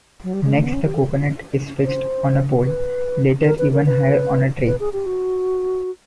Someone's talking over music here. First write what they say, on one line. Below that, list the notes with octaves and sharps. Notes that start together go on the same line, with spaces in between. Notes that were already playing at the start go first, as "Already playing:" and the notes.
Next the coconut is fixed on a pole, later even higher on a tree.
F#3
G3
G#3
A3
B3
C#4
G4
A4
C5
B4
A#4
B4
A#4
B4
B4
G#4
G4
F#4